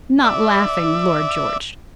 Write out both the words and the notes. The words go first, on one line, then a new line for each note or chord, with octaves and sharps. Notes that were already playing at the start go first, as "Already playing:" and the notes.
"Not laughing, Lord George."
D5 E5